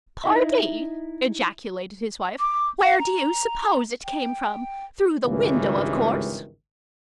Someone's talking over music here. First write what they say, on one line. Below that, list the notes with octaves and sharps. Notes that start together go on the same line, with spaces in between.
"Pardie!" ejaculated his wife, "where do you suppose it came from? Through the window, of course."
D#4 E4 A4 C5 D#5 E5
D6
F5
A#5
G5
G#1 C#2 G2 D#3 E3